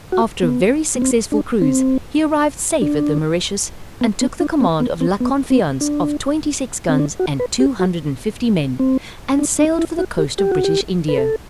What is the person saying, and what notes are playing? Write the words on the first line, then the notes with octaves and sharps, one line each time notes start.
After a very successful cruise he arrived safe at the Mauritius, and took the command of La Confiance of twenty-six guns and two hundred and fifty men, and sailed for the coast of British India.
F#4
B3
B3
C4
D4
C4
D4
B3
B3
D4
C4
B3
C4
B3
C4
D4
C4
D4
F#4
B4
G4
F#4
C4
D4
D4
E4
F#4
G4
G4
F#4
G4
B4
A4